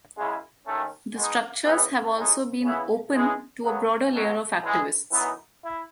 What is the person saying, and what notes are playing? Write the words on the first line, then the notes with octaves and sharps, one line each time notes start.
The structures have also been "open" to a broader layer of activists.
F#2 C#3 G#3 C#4 E4
D#2 D#3 A3 C#4
B2 G#3 D#4
D#2 C#3 E3 B3
A2 G#3 D#4
C#3 E3 B3 E4
F#2 E3 G#3
C#3 F#3 B3
C#2 B2 F#3
F#2 E3 G#3
F#2 E3 B3 D#4
E4